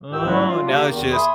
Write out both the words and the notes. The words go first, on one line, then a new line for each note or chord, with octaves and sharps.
Oh, and now it's just
C#2 G#2 D#3 G4 G5 E6
G#2 F#3 G3 A3 C#4 E4
F4
C#3 A#3 D4 G4
E2 D#3
E5 G#5 B5 C6 D#6